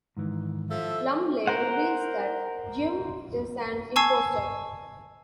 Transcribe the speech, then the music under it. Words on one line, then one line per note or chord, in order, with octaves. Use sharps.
Lumley reveals that Jim is an imposter.
G#2 D#3 E3
F3 A4 E5
A#4 C5 F#5
G#5 A5 C#6 E6 G#6 C7